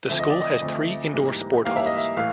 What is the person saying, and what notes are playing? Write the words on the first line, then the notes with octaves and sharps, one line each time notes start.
The school has three indoor sport halls.
D2 D3 F3 A3 C4 E5
D#5
D5
D#5
D2 D3 F3 A3 C4
G#2 E3 G3 A#3
G#2 E3 G3 A#3 F5
E5
D#5
E5
A2 E3 A3 F5